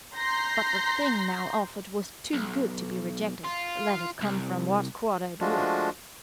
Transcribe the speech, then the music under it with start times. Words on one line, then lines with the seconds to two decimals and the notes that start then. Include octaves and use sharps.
But the thing now offered was too good to be rejected, let it come from what quarter it would.
0.14 A#5 C6 G6 A#6 C7
2.33 B1
3.45 F4
4.21 C2
5.40 F3 G#3 A3 D4 F4 F#4